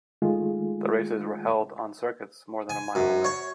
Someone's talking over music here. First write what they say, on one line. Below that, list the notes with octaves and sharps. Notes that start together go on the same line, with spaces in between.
The races were held on circuits more than a mile away.
D#3 G#3 A3 F4 G#4
G#5
F#2
C#5